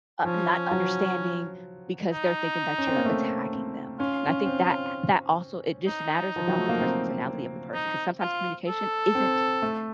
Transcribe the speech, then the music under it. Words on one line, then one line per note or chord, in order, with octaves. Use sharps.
n uh, not understanding because they're thinking that you're attacking them. And I think that h that also it just matters about the personality of the person 'cause sometimes communication isn't
F3 C#4
F#3
D#4
C#4
C4
A#3
A3
C4
C#4 F4
C#4
C4
D#4
F3
F#3
A3
A#3
C4
D#4
F4
A4
C4
A3